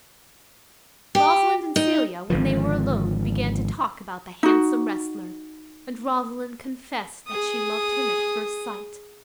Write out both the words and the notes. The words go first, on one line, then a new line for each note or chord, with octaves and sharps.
Rosalind and Celia, when they were alone, began to talk about the handsome wrestler, and Rosalind confessed that she loved him at first sight.
G4
D#4
G#1 D3 F3
D#4 F#4
G#4 D#6